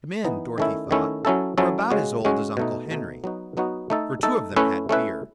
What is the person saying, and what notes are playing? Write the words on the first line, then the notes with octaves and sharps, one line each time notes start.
The men, Dorothy thought, were about as old as Uncle Henry, for two of them had beards.
E3 B3 D#4
D#3 A3 C#4 E4
D#3 A3 C#4 E4
F#3 C#4 E4 A4
F#3 C#4 E4 A4
C#3 G#3 C#4 F#4
C#3 G#3 C#4 F#4
B2 A3 D#4
B2 A3 D#4
F#3 B3 D#4 F#4
F#3 B3 D#4 F#4
A3 D#4 A4
A3 D#4 A4
A3 C#4 E4 B4
A3 C#4 E4 B4